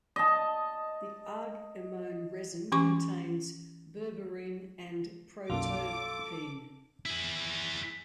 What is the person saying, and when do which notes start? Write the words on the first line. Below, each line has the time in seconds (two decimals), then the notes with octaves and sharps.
This argemone resin contains berberine and protopine.
0.16 D#5 A5
2.72 E3 C#4 G4 C#6 D6
5.50 B1 F#2 A#2 F4 A4 D6
7.06 E4 G#4